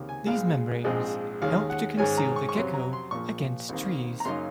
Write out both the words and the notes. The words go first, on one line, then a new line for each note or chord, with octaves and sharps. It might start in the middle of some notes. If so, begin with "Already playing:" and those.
These membranes help to conceal the gecko against trees.
Already playing: C#2 C3 D#3 A#3
G#5
A#1 A#2 G#3 F5
A#1 G#2 F3 G#3 C4 D#5
D#2 D#3 G#3 C#4 F5
F#5
G#2 D#3 G#3 C#4 G#5
A#5
C#6
C#6
F2 C3 F#3 C#4 C6
A#5
C6
A#1 A#2 F3 A#3 C#6
C2 C3 D#3 A#3
A#5
F#2 C#3 F#3 A#3 D#4 C6